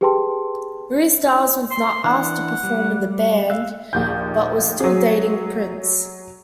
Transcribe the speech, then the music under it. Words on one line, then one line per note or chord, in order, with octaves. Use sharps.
Re Styles was not asked to perform with band but was still dating Prince.
G4 G#4 B4 G5 A5 C6
C6
E3 D4 F#5
G3
F5 E6 F#6
A#1 D#2 G6
F#3 G#4